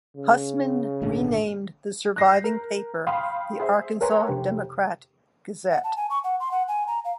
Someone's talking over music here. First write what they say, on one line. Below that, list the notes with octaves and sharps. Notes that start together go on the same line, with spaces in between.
Hussman renamed the surviving paper the Arkansas Democrat-Gazette.
C#3
G#1 A#2 D3
F#6 G6 A#6 C7
A#4
F5 G5 B5 C6 D#6 F6
G#4 C5 E5
A#4 B4 C#5 G#5 A#5 C6
F1 G4
F#5
A5
G#5
C#6
F#5
C6
F#5
G#5
A#5
F5